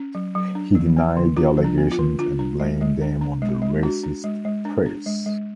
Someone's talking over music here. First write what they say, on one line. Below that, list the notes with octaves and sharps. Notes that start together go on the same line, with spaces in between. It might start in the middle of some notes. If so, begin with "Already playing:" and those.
He denied the allegations and blamed them on the racist press.
Already playing: C#4
F#3
F#3
D4
F3
B3
D3
D4 F4
F3
D4
B3
F4
D3
D4 F4
D4
G#3
G#3
D4
D4
G#3
G#3
D4 F#4
D4
G#3
G#3
D4
D4
G#3
G#3